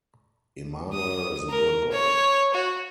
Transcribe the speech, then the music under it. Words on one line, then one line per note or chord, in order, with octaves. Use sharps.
Immanuel is a good boy.
D#6
A#4
C#5
F#4